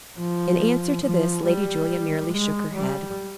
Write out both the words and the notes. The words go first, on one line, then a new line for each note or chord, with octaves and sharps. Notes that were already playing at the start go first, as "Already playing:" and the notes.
In answer to this Lady Julia merely shook her head.
F3
F3
G3
G#3
G3